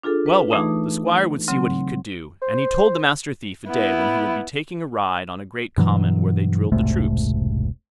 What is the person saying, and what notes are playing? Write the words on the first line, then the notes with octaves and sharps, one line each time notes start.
Well, well, the Squire would see what he could do; and he told the Master Thief a day when he would be taking a ride on a great common where they drilled the troops.
D4 F4 G#4 A4
B4
E3 A3 D#4 D6 D#6
C#3 F#3 C4
C5
B3 E4
G2 B2 E3 F#3
E1 C2 G#2 A3